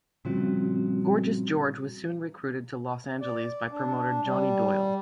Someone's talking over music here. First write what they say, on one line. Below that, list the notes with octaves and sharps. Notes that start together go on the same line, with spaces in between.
Gorgeous George was soon recruited to Los Angeles by promoter Johnny Doyle.
A#2 C#3 F3 G3 C4 F#4
D5
D4
G3